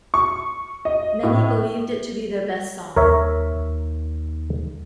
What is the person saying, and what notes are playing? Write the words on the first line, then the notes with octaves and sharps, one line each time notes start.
Many believed it to be their best song.
C#6
D#5
A2
D#2 A#4 C#5 E5